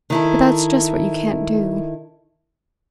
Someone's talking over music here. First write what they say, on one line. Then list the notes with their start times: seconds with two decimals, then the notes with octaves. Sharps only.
But that's just what you can't do.'
0.10 D#3 E4 A4